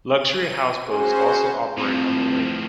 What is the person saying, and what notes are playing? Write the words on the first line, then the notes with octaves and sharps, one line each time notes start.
Luxury houseboats also operate on the lake.
D#7
C#4 F#4 G#4 C5
A2 F3 C4